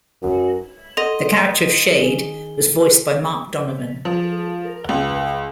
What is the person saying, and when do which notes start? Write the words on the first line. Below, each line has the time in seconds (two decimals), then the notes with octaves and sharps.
The character of Shayde was voiced by Mark Donovan.
0.22 F#2
0.97 A4 D#5 F#5 C6 A#6 D#7
1.99 D#3 G#4 G7
4.05 F3
4.89 C#2